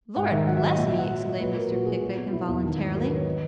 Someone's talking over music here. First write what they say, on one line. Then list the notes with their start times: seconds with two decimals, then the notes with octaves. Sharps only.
'Lord bless me!' exclaimed Mr. Pickwick involuntarily.
0.16 G#2 F#5
0.32 D#3 E5
0.47 F#3 F#5
0.57 E5
0.62 F#3
0.68 D#5
0.77 A#2 E5
0.89 E5
0.93 F#3
0.98 F#5
1.09 F#3
1.25 F#3 D#5
1.40 A#2 B4
1.55 F#3 A#4
1.71 A#2 F#4
1.86 A#2 G#4
2.01 F#3 F#4
2.17 B2
2.32 B2 E4
2.47 E2 E4
2.63 D#3 D#4
2.78 G#2
2.94 F#3 A#4
3.04 B4
3.10 D#3 C#5
3.26 D#5